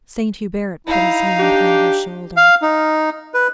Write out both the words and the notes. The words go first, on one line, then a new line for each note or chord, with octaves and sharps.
Saint Hubert put his hand on her shoulder.
D#4 E4 F5
D4 G4
F5
D#4
B4